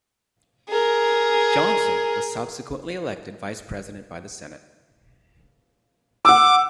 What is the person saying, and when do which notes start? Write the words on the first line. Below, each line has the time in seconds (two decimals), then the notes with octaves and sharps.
Johnson was subsequently elected Vice President by the Senate.
0.69 G#4 A#4
6.25 F#5 D6 E6